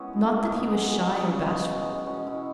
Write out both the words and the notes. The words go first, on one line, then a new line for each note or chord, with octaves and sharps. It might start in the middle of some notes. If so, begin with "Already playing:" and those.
Not that he was shy or bashful.
Already playing: G#3 B3 C#4 E4
B2
G#3
C#3 B3
E3 G#3
B2
G#3
C#3
G#3
B2
G#3
B2 C#4
G#3 E4